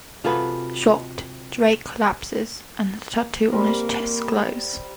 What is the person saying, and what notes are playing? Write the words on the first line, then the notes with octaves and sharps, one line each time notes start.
Shocked, Drake collapses, and the tattoo on his chest glows.
C3 F4 F#4 G#4 A4 B4
G3 A#3 C4 A#4